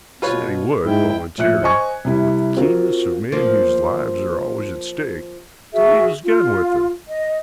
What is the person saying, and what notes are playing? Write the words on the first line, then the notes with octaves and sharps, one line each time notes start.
He said he would, volunteering, with the keenness of men whose lives are always at stake, to leave his gun with them.
B2 F4 B4 C#5
G#2 G#3 E4 G5
A2 F3 E5 F#6 C#7
C5 D#5 G#5 C#6 G#6
C3 G3 E4
C4 F4 F#4 A#4
F3 A#3
F#4 G#4 E5
F4
D#5